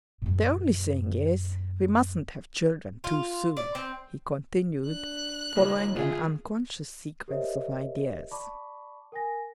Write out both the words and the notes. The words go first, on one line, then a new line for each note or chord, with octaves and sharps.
"The only thing is, we mustn't have children too soon," he continued, following an unconscious sequence of ideas.
F#2 A#2
F4
D5
C4
D4 F#6
D#2 A#2 C#3 G#3
G1 D3 E4 F4 G#4
G4 A#4 C5 C#5 D#5 E5
D5 A5 B5 C#6 D6
A#4 G5 G#5 A#6